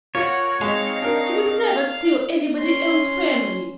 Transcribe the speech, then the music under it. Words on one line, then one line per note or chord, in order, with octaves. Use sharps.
He would never steal anybody else's family!
F4 A#4 C#5 F#5
G#3 C4 D#4 F5
D4 A#4
C#4 C6